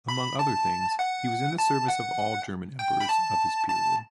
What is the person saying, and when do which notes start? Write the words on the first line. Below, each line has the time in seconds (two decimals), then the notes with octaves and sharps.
Among other things he was in the service of all German emperors of his period.
0.08 B5
0.39 A5
0.99 F#5
1.58 A5
1.88 F#5
2.79 G5
3.00 B5
3.09 A5
3.68 A5